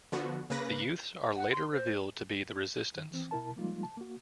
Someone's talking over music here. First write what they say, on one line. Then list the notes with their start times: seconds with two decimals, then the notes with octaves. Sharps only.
The youths are later revealed to be the Resistance.
0.12 D3 F3 B3 F#4
0.50 C#3 A#3 B4 A#6
1.37 F#5
1.52 C6
1.72 C5
2.95 D#3
3.11 E3 C4
3.31 B2 E4 A#4 A5
3.56 F3 G3 G#3 A#3 D#4 F4
3.83 A5
3.97 A#3 F#4